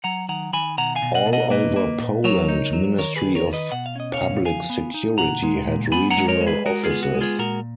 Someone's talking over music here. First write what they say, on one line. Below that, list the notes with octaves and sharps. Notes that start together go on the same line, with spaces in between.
All over Poland Ministry of Public Security had regional offices.
F#3 F#5 A#5
D#3 F#5 A#5
D#3 G#5 B5
B2 F#5 A#5
F5 G#5
B2
D#5 F#5
B2
D#5 F#5
A#3 B4 D#5
A#3
A#2
F#3 A#4 C#5
D#4
F#3
D#3 A#4 C#5
G#4 B4
D#3
A#4 C#5
D#3
B4 D#5
B2 F#5
F5
C#4 D#5
C#5 F5
B2
F3 F5 G#5
B3
D#4
A#2 F#5 A#5
G#3
A#2
B3 G#5 B5
F#5 A#5
G#3
A#4 C#5
G#3
G#4 B4
G#3 F#4 A#4
F4 G#4
B3
F#4
G#3
F4 G#4
A#2 F#4 A#4